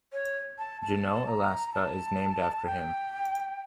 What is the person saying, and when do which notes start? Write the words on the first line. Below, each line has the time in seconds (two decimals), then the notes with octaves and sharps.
Juneau, Alaska is named after him.
0.13 C#5
0.59 A5
0.82 A5
1.27 A#5
1.73 A5
2.66 G5